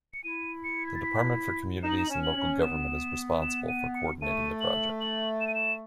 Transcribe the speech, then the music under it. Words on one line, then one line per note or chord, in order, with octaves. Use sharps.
The Department for Communities and Local Government is responsible for co-ordinating the project.
C#7
E4 D#7
C#7
G#6
A6
B6
D#4 E7
F#7
E7
F#7
C#4 E7
F#7
C#4
B3 E7
E7
D#7
C#7
A3 D#7
F#7
F#7
E7
D#7
E7